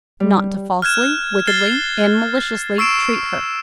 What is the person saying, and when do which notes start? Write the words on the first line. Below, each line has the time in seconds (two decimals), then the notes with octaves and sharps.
Not to Falsely, Wickedly and Maliciously treat her.
0.20 G3
0.82 F6 F#6 G#6 E7
1.47 F6 G#6 A6 C7 G7
2.78 C#6 E6 C7 D7 E7